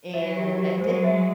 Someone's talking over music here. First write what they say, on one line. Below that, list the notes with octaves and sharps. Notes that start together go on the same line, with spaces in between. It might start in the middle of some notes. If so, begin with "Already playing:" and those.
And I did
E3 F#3 E5
G4
G4
F#3 G#3 C5
E5